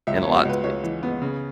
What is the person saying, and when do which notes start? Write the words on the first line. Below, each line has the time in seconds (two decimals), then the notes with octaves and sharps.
in lot states.
0.07 C#2 E5
0.22 B3 C#5
0.36 F#4
0.45 C#2 B4
0.64 C#2 C#5
0.83 E3
1.03 B3
1.22 C#3